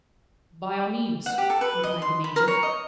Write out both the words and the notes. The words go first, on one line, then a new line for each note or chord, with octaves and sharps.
"By all means," replied the major.
F#5
G4
A4
B4
D#5
C6
B5
A#4
C#5
D#5